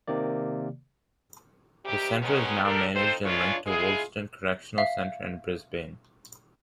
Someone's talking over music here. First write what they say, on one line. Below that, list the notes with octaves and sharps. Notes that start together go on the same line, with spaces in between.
The centre is now managed and linked to Wolston Correctional Centre in Brisbane.
C3 D#3 A#3 D5
C3 D#3 G3 G4
B2 D#3 F#3 G#3 B3 C#4
D4 G4 A4 A#4
C4 D#4 F4 A4 C5
C#3 E3 G#3 D4 F4 C#5
G#3 E4 F4 G#4
E5 F5